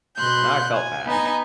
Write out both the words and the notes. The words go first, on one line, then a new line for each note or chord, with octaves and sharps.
Then I felt bad.
B2 C6 F#6 G6
G#5
B3 D#4 G#5